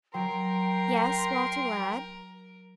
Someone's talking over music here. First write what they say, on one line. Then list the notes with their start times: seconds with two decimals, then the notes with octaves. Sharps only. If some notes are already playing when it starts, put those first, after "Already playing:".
"Yes, Walter, lad?"
0.14 F#3 A#4 G5 C6